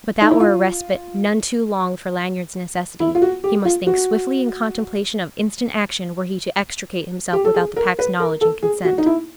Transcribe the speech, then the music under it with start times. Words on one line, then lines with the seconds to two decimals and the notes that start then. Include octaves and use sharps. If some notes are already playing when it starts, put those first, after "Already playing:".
But that were a respite none too long for Lanyard's necessity; he must think swiftly in contemplation of instant action were he to extricate himself without the Pack's knowledge and consent.
0.22 D#4
0.31 E4
0.40 F4
3.00 E4
3.15 F4
3.22 F#4
3.44 G4
3.65 F4
3.87 F#4
7.33 G4
7.45 A4
7.54 G#4
7.76 A#4
7.99 B4
8.20 A#4
8.41 A4
8.63 G#4
8.85 F#4
8.98 D#4
9.06 E4